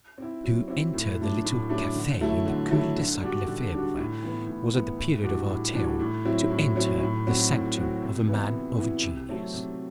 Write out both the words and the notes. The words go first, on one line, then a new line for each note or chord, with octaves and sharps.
To enter the little Cafe in the cul-de-sac Le Febvre was, at the period of our tale, to enter the sanctum of a man of genius.
C4 E4
F#3
C4 E4
A2
F#3 A3 D4
A2
F#3 A3 D4
D3
F#3 A3 E4
D3
F#3 A3 E4
D3
G3 D4 F#4
D3
G3 D4 F#4
A2
E3 B3
A2
E3 B3
A2
E3 G3 D4 F#4
A2
E3 G3 D4 F#4
A2
F#3 C4 E4
A2
F#3 C4 E4
A2
F#3 C4 F#4
A2
F#3 C4 F#4
C3
E3 B3 E4
C3
E3 B3 E4
C3
F#3 A3 C4
C3